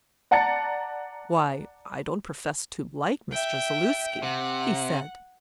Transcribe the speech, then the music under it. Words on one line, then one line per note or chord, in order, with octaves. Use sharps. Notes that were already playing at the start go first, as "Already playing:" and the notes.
"Why, I don't profess to like Mr. Zaluski," he said.
D5 F#5 A5 A#5 A6 C#7
E5 G5
C3 F#5